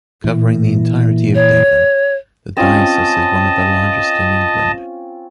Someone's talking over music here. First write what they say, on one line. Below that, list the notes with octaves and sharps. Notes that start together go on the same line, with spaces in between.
Covering the entirety of Devon, the diocese is one of the largest in England.
A#2 E3
C#5
C4 C#4 F4 D#5 A5